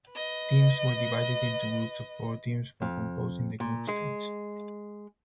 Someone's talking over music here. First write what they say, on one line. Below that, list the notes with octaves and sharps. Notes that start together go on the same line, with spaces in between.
Teams were divided into groups of four teams for composing the group stage.
B4 D#5
F2
A#2
G#3